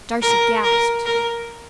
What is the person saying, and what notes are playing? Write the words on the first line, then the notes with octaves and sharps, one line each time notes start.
Darcy gasped.
A#4
A#4
A#4